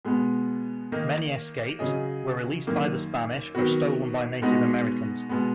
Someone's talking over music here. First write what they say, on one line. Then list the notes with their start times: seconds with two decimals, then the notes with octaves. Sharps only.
Many escaped, were released by the Spanish or stolen by Native Americans.
0.05 B2 G#3 B3
0.92 D#3 A#3 D#4
1.79 C#3 F#3 C#4 G#4 D#5
2.67 F#2 D#3 A#3
3.55 D#3 F#3 B3 F#4
4.42 B2 G#3 B3 D#4 F#4
5.29 B2 G#3 B3